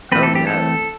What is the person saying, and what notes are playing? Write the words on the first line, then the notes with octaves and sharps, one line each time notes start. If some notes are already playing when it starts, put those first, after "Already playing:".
Oh, no.
E3 A3 C4 B4
A4
G4
A4